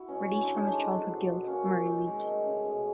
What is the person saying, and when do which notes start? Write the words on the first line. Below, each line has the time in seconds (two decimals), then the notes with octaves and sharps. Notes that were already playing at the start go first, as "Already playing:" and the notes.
Released from his childhood guilt, Murray weeps.
Already playing: E4 F#4
0.08 B2 C#4
0.28 A2 C#4
0.41 C4 D4
0.48 G#3
0.54 C#4 D#4
0.67 D3 C4 D4
0.88 F#3
1.07 B2
1.27 B2
1.47 A#3 C#4
1.67 C3
1.86 D#3
2.06 G#3
2.25 A3
2.45 C#3
2.65 B2